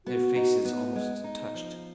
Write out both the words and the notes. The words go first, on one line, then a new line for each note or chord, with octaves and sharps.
Their faces almost touched.
B3 F#4
D#4
B3
G#3
D#4
F3